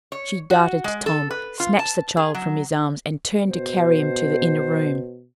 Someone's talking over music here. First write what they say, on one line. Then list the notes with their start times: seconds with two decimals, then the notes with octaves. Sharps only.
She darted to Tom, snatched the child from his arms, and turned to carry him to the inner room.
0.12 C#5
0.51 F#4
0.84 G#3
1.06 A4
1.31 B4
1.60 F4
1.79 A5
2.17 G#4
2.35 F#3
3.47 B2 C5